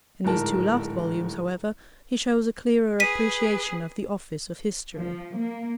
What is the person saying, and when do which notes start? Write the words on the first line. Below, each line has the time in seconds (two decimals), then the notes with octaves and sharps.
In these two last volumes, however, he shows a clearer appreciation of the office of history.
0.25 D1 G#2 A#4 A5
3.00 G#4 B4 B6 D#7
4.95 F3
5.37 A#3